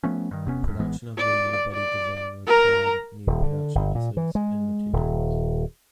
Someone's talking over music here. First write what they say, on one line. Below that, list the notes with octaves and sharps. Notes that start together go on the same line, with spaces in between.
Production of the unibody design required new production methods and materials.
F3 A3 B3 C#4
G2 D#3
F1 C3 B3 C#4
E2 G2
A1 E3 G#3 B3
D5
D5
A#4 A#5
D#1
D3
G1
A#2
E3
G#3
D#1